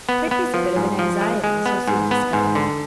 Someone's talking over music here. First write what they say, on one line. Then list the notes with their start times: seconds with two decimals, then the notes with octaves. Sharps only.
Turkey's a bit of an anxiety, as you'll soon discover.
0.09 B3
0.31 B3
0.54 F3
0.76 G#2
0.99 F3
1.21 G#3
1.44 G#3
1.66 B3
1.88 G#2
2.11 B3
2.33 G#2
2.55 D3